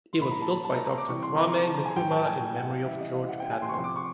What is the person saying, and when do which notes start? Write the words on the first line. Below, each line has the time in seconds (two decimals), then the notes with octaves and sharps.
It was built by Doctor Kwame Nkrumah in memory of George Padmore.
0.13 C6
0.20 A#2 F#3 B5
0.31 A#5
0.42 A5
0.64 A5
0.74 A#5
0.86 A#5
0.97 D6
1.08 C3 E3 G3 C#6
1.23 C6
1.38 A#5
1.63 A5
1.74 A#5
1.85 G#5
1.96 A2 F#3 G5
2.11 A5
2.26 G#5
2.41 G5
2.56 F#5
2.70 F5
2.84 C#3 E3 G3 E5
2.99 D#5
3.14 F5
3.29 F#5
3.40 G5
3.51 G#5
3.62 C6
3.69 C#6
3.73 C3 F3 C6
3.84 D6
3.96 C#6